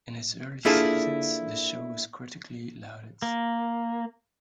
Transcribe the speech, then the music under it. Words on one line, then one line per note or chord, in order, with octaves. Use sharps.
In its early seasons, the show was critically lauded.
A#3 D4 E4 F4 G#4 A4
A#3